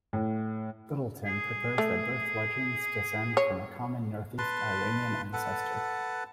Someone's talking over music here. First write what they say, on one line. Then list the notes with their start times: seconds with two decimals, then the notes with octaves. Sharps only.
Littleton proposed that both legends descend from a common northeast Iranian ancestor.
0.13 A2
1.25 G#4
1.78 A3
3.37 C#5
4.38 B4 A5 C6
5.33 A4 B4 F#5 A5